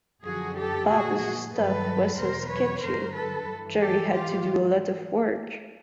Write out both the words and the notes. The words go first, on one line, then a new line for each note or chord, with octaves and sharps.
Bob's stuff was so sketchy, Jerry had to do a lot of work.
F#2 D3 F3 F#4 G#4
G4 A4
A#2 F3 F#4 G#4
G2 D#3 F#3 A4 B4
E2 B2 F#3 A#4 C5
B4 C#5
G2 D3 F#3 A#4 C5
A4 B4
G2 E3
G4 A4
G#2 E3 F4 G4